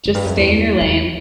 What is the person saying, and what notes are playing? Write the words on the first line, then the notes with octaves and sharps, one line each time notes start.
just stay in your lane
F#2
G2
F#2
E2
E2